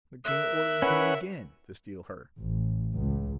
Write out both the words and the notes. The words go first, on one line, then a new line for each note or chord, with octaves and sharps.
The king ordered him again to steal her.
A#4 E5 F#6
C#4 E4 B4 C#5 F#5
A1
C#2